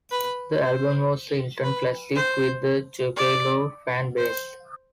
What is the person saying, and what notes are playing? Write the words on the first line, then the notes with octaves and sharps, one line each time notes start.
The album was a instant classic with the Juggalo fan base.
B4
C5
B4
C5
D5
C5